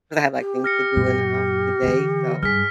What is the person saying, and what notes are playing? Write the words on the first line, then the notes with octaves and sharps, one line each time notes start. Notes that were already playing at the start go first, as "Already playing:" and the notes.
cause I have, like, things to do in the house today, so
G4
F6 A#6 C#7
F#2 A#2
D3 E3
G2 G#4 F6 B6